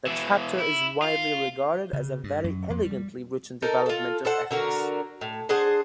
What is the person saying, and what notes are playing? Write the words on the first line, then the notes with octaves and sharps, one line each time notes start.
This chapter is widely regarded as a very elegantly written development of ethics.
B2 E3
E4
F4
C#3
G2
F#2
F2
G3
D#4 A4 A#4
F4 A4
A4 C5 F#5
D3 F#4 A#4
A2
D4 G#4 C5 F#5